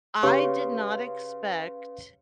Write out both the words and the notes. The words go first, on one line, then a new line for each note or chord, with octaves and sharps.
I did not expect
C#3 G4 B4 C#5 F5 C6 C#6